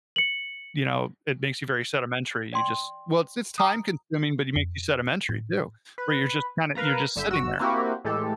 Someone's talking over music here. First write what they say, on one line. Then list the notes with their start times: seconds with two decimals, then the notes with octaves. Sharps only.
you know, it makes you very sedimentary, you just well, it's just time consuming but it makes you sedimentary too, where you're just kinda you're sitting there,
0.16 C#7 F#7
2.53 D5 G5 C6
3.58 A#5 D#6
4.56 F2
5.29 A2
5.98 B4
6.75 A#4 B4 F5 A#5
7.16 G1 D3 E5 G6
7.31 G1 F#4 E6
7.59 A#3 C4 E4 F#4 G4
8.05 A2 E3 G#3 G4 A4